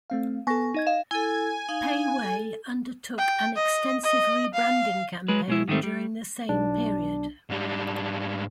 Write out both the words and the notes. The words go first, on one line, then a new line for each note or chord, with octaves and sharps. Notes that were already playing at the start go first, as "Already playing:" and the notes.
Pei Wei undertook an extensive rebranding campaign during the same period.
A3 C4 F5
B3 A4 G#5 C#6 A#6
D#4 D#5 G#6
D#5 F5 E7
E4 A4 G#5
D#4 F5
A4
G5
D#5
D#5
F5
F#3 G#3 B4
B2 G#3 E4
G#2 D#3 G3 A3 C4
G3
B1 D4
G#2 G3